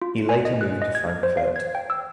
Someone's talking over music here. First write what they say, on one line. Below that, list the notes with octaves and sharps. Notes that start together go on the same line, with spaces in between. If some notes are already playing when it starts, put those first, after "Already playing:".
He later moved to Frankfurt.
F4
G#5
D#5
F#6
D#5
G#6
C5
F5
G#6
G5
E6